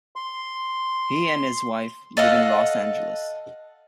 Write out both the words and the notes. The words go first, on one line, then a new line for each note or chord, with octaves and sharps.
He and his wife live in Los Angeles.
C6
A4 D#5 F5 F#5